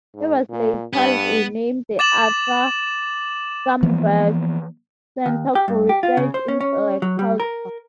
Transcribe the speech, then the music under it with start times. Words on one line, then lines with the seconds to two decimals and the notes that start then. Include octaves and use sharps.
It was later renamed the Arthur Schomburg Center for Research in Black Culture.
0.14 G#2
0.49 A#2
0.93 G2 B3
1.99 D6 A6 E7 F#7
3.83 E3 F3 A#3 B3
5.26 D#2
5.55 G4
5.68 G2
5.89 G4
6.03 F4
6.17 C#3
6.34 C5
6.48 C#4
6.61 C#4
7.02 F#3
7.19 G3
7.40 A#4